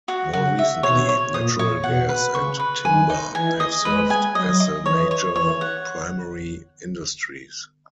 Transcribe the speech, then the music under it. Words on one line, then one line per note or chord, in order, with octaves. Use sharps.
More recently, natural gas and timber have served as the major primary industries.
F#4
C#3 F#4
E5
B2 C#5
C#5
A#2 D#6
C#5
B2 F#5
B4
C#3 C#6
B4
D#3 G#5
D#4
E3 G#5
D#5
G#3 B4
G#5
F#3 D#5
D#5
E3 C#5
C#5
E3 C#5
F#5